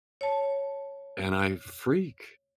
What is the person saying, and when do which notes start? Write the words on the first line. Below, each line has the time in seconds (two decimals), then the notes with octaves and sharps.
and I freak,
0.21 C#5 A5